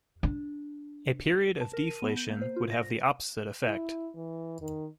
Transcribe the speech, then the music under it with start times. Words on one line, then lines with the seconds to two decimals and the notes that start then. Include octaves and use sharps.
A period of deflation would have the opposite effect.
0.23 D4
1.61 A5
1.73 A#4
1.87 D#7
2.02 B3
2.16 G6
2.29 A#3
2.41 C5
2.56 F4
2.71 A#6
3.66 E4
4.16 E3
4.61 D#3